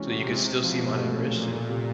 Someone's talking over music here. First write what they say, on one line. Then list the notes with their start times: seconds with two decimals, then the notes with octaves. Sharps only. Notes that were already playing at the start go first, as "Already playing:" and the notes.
so, you could still see Mount Everest, yeah.
Already playing: C3 E3 G#3 C#4 F#4
0.11 F#4
0.29 G#3
0.46 B2 C#4
0.63 F3
0.80 C3
0.98 A#2 A3
1.16 C#4
1.33 F3
1.51 A3
1.69 C3